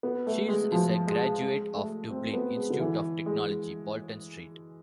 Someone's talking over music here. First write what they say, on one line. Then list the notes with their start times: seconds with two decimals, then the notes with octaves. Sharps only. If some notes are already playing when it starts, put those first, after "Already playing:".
Shields is a graduate of Dublin Institute of Technology - Bolton Street.
0.03 B3
0.27 A3
0.48 G#3
0.72 F3
1.07 G#3
1.42 G#3
1.75 A3
2.11 C4
2.33 B3
2.56 G#3
2.70 D3
2.79 E3
3.26 G#3